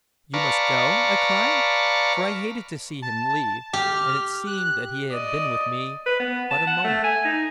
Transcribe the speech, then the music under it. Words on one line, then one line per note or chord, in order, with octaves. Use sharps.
"You must go?" I cried, for I hated to see him leave and it seemed that he had been with me but a moment.
B4 D5 F5 A5 A#5 C#6
A5
G4 F6
F#6
D5 D#5
B4
B3
A5
F#5
A3
G#5
D#4